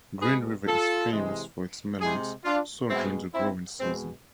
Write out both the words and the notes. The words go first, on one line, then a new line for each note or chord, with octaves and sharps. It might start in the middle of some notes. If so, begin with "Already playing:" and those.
Green River is famous for its melons, sold during the growing season.
B2 G#3 G#4 B4
F4 A4
C3 E3 G#3
C3 G#3 E4 G#4
D4 F4
B2 G#3 C4 E4
C4 E4
B2 G#3 C4